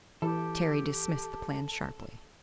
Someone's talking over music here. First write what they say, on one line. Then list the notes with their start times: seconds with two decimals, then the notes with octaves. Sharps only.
Terry dismissed the plan sharply.
0.22 E3 G4 A4